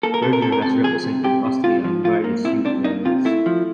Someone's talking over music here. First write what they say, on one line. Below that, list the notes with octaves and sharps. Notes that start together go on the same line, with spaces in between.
Berger has represented Austria in various youth levels.
A#3 A4
A#4
C3 A4
A#4
C3 A4
A#4
C3 A4
F3 G#4
C3
C3 G4
C3
C3 F4
F3
F3 F4
A#3
C3 E4
C3 D4
A#3 D#4
C3 F4
A3 E4
F3